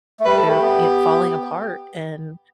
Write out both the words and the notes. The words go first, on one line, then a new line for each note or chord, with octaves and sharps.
they're y falling apart, and
A3
G3 B4
A4
A3
G4
B3